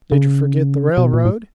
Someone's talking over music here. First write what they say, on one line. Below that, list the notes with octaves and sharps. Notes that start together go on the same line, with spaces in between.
Did you forget the railroad?
C#3
B2
A#2
A2